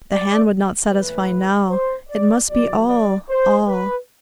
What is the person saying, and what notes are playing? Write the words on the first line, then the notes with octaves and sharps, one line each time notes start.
The hand would not satisfy now; it must be all, all!
D5
A2 E3 B4
C5
D5
E2 B2 F#3 D5
D5
C5
B4